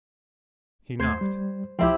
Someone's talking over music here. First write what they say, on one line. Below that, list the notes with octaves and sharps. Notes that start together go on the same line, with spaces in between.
He knocked.
D#2 A3 C5 G#6
G3
C2 F3 C4 E4 G4